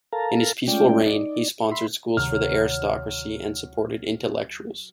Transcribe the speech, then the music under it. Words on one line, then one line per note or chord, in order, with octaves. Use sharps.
In his peaceful reign, he sponsored schools for the aristocracy and supported intellectuals.
A4 A#4 F5 A5 A#5
G#3 A3 C#4 F4 D5 G5
D#4 D5
E5 B5 C6
D2 C3 D#3 F#3 F6